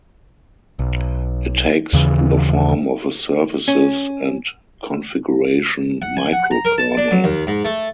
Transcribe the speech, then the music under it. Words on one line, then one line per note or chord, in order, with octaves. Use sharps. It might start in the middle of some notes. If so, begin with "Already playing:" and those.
It takes the form of a services and configuration microkernel.
B1
D#2 C#3 E3
C#4
F#5
G#5
F#5
A#5
A#4
A5
D4
F#3
D#2
G#2
A3